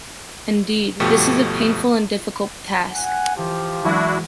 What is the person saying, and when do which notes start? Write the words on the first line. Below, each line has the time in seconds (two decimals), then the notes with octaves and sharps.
Indeed, this is a painful and difficult task.
1.00 G1 B2 F3 A3 G4 C#6
2.92 F#5 G#5
3.35 E3 F3 G4 F#6
3.84 E3 F#3 G#3 D4 E4 F#4